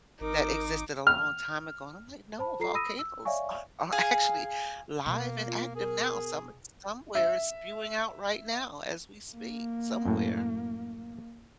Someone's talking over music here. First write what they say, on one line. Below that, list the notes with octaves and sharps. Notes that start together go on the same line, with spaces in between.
that existed a long time ago. And I'm like, "No, volcanoes are are actually live and active now. Some somewhere it's spewing out right now as we speak, somewhere."
G#1 D#4 A#4 D6
F6
C5 A5 B5
F4 A4 A#5 C7
B5 D#6 E6 A#6 D#7
E6
C#5 D5 E5 F5 G#5 C#6
G#4 F5 G#5
B2 A#3
F4
G#4 A#4
E5
A#3
F#2 A2